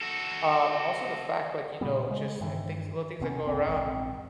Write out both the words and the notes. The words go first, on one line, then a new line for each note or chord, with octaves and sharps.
Um, also the fact, like, you know, just, eh, things little things that go around,
F#4 A4
A#2 C#3 G3 B3
C#3 G#3
G2 D#3 E3
F1 C3 B3 C#4
F#1 C2 C4
A#1 E2 G#2 C4